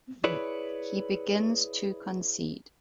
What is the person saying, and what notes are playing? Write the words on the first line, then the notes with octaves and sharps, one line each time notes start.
He begins to concede.
E4 G#4 B4 C#5 D5